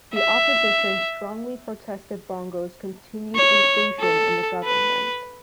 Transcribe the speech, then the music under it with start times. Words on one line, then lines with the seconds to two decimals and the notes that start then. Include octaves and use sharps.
The opposition strongly protested Bongo's continued inclusion in the government.
0.14 E5
3.35 C#5
4.00 A4
4.64 B4